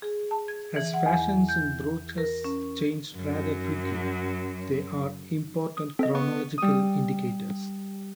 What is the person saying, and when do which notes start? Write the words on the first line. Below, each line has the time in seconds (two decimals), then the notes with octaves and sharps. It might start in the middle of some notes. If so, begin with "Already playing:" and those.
As fashions in brooches changed rather quickly, they are important chronological indicators.
0.02 G#4
0.31 A5
0.48 G#6
0.76 E3
0.94 F#5
1.06 E2
1.48 G6
2.18 A#4
2.44 C#4
3.16 F#2 F#3
5.77 D#6
5.99 C4 A4 D#5
6.15 B3 C#6
6.58 G3 D#6